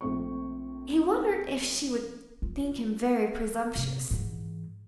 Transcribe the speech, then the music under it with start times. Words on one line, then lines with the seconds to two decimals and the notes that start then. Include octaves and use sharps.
He wondered if she would think him very presumptuous.
0.01 A#1 A3 C4 C#6
2.42 F4
3.76 C3
4.11 G#2 E3